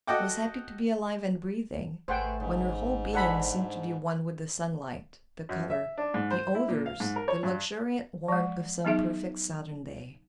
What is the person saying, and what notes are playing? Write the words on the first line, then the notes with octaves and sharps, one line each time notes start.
She was happy to be alive and breathing, when her whole being seemed to be one with the sunlight, the color, the odors, the luxuriant warmth of some perfect Southern day.
F#4 A4 D#5 F#5 G5 D6
G#1 A3 G#4 B4 C5 F#5 G5
G#2 C#3
D4 G#4 A4 C5 F#5 B5
F#2
E5
D4
G#2
C5
E4
A#2
F5
G#2
A#4
C#5
G2
F3 G#3
F#3 B3 D#4 G#4 E5